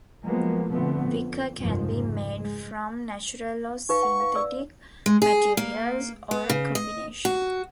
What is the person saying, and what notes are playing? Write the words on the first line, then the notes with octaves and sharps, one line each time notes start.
Wicker can be made from natural or synthetic materials, or a combination.
F3 F#3 G#3 A#3 B3
B2 D3 F3 A3 B3 C4
F2
F1 C2 G2 D#3 F3
C#2 G#2
G#3
D#4 B4 F5 C#6
F#5
B4 F5
D5 E6
G#3
G#4
A#3
B3
C#3
D#5
F#4